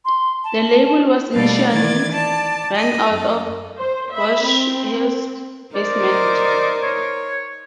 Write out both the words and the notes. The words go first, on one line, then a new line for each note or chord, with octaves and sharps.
The label was initially run out of Warshaw's basement.
C6
A5
B2 G3 A3 A4 D5 F5
D#3 E3 D5 G#6 A6
D5 A5
D#5 B5
F#2 A4
C5
E5 B5
C4
D#4 A#4 C5 D5
C#5